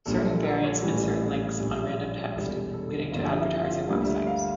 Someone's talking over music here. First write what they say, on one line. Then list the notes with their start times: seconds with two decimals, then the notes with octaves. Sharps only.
Certain variants insert links on random text, leading to advertiser websites.
0.06 A#1 A#2 G3 A#3 A4
0.25 A4
0.44 A#4
0.64 C#5
0.83 A1 A2 E3 G3
1.60 A#1 A#2 G3
2.35 E1 E2 E3 G3 A4
2.74 A4
3.12 G1 G2 D3 F3 A#3 F4
3.38 E4
3.63 F4
3.89 D2 D3 G3 A#3
4.07 E5
4.27 F5